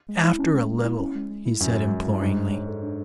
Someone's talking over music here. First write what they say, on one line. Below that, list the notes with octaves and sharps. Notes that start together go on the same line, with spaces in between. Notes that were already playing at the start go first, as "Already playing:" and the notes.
"After a little," he said imploringly.
G#3
E4
C#4
G#3
G#3
E4
C#4
G#3
G#3
E4
F#2 C#4
G#3
G#3
E4
G#2 D4
G#3
C#5
A4
D4